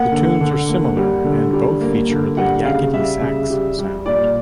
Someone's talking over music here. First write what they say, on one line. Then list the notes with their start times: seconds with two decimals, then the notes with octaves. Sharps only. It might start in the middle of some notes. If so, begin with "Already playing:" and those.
The tunes are similar, and both feature the "yakety sax" sound.
Already playing: A#3 F#5
0.12 D3
0.40 D3
0.68 A#3
0.97 G3
1.24 D3
1.53 G3
1.81 A#3
2.09 D3
2.37 G3 F#5
2.65 C#3 F5
2.94 G3 E5
3.21 C#3
3.50 G3
3.78 G3
4.06 A#2 D5